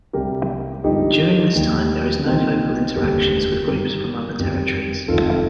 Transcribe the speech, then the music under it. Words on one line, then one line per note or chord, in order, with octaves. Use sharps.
During this time, there is no vocal interactions with groups from other territories.
C2 C3 G3 G4 A#4
G1 G2 D3 F3 D#4 G4
D#2 D#3 G3
C2 A#2 G3 C4 D#4
F1 D#2 D3 G3 G4 A#4
G1 G2 D#3 G3 G4 A#4
G1 F2 D#3 G3
F1 F2 D#3 F4 A4